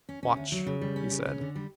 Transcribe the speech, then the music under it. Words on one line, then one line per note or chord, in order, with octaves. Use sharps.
"Watch," he said.
C#4
C#4
D2
F#3
C#3
G3
C#4
C#3
C#4
D3
G3